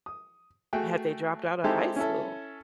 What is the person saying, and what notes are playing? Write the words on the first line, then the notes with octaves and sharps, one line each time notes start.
had they dropped outta high school?
D#6
A3 F#4 G#4 G5
G#3 C4 D#4 E4 G4 A4
C#4 E4 A4